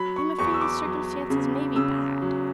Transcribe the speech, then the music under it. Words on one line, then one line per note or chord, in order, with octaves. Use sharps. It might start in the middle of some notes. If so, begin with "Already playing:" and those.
I am afraid his circumstances may be bad.
Already playing: F#3 B5
C#6
E2 C#6
E6
D6
F#3
C#3
C#3 E6
F#3